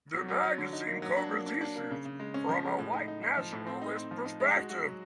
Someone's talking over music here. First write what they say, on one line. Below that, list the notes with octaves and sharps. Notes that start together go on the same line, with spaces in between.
The magazine covers issues from a white nationalist perspective.
F#3
F#3
F#3
D3
D#4
A#3
F#3
D4
A#3
D4
D4
A#3
C#3
C#3
G#3
C#4
F3
G#3
A2
D#4
D#4
D#4
F3
A2
C4
D#4
C4
F3
D#4
G#3
F#4
F#4
F#3